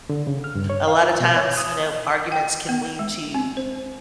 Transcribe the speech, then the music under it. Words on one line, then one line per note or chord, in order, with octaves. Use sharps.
A lotta times, you know, arguments can lead to
D3
C#3
F6
G2
C#5
F5
F4
B2
C#5
D#6
G5
B3
G#3
C4
C5